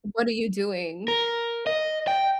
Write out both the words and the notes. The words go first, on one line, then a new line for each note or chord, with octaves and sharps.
What are you doing
A#4
D#5
G5